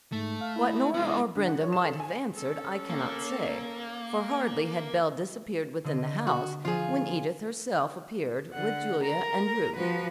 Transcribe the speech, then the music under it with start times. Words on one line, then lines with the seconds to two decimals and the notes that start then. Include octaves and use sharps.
What Nora or Brenda might have answered, I cannot say, for hardly had Belle disappeared within the house, when Edith herself appeared, with Julia and Ruth.
0.12 G#2 A3
0.41 F5
0.56 E4
0.94 G#3 B3
1.35 D3
1.48 F#5
1.61 C#5
1.73 E7
1.85 A4
2.00 G#5
2.34 C#4 A4
2.89 A#3
5.84 D3 D#5
6.27 F#4
6.65 F3 F4 G#4
8.54 D3 F#5
9.04 A#4 A#5
9.76 F3 F#4 B4